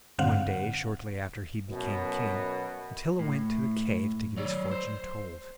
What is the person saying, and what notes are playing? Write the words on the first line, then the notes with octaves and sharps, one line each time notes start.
One day, shortly after he became king, Attila went to the cave to get his fortune told.
G2 D3 C4 F5 F#5
F#2 B2
A2
F#3 C#5 D5
C5